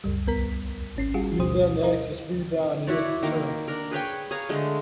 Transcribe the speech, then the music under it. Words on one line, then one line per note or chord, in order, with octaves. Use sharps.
U then x is rebound in this term.
C#2 F#2 G3
B1 B3 A#4 B6
G#1 C#4 C7
G3 F4 F#4 G#4
D2 B2 C5 D#6
E4 A#4 D#5
E4 F#4 C#5 D5
D#3 A#3
D4 A#4
G#4 B4 C#5 G5
G#4 C#5 F5 A#5
D3 G#3 A3